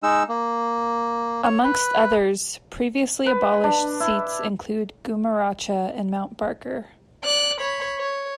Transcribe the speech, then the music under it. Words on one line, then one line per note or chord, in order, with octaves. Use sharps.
Amongst others, previously abolished seats include Gumeracha and Mount Barker.
G#3 D#4 E6
A#3
C#5
B4
B4
D4
E4
D5 F#6
C#5 B5
C#5